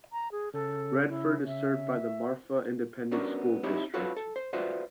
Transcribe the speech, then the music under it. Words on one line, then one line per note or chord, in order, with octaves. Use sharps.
Redford is served by the Marfa Independent School District.
A#5
G#4
C#3 A4
E4
E5
B3 C#4 D4 F#4 A#4
C4 D#4 E4 G4 C#5
F4 F#4 A4 B4 C#5 F5
A4
C5
F4 F#4 B4 C5 D5 E5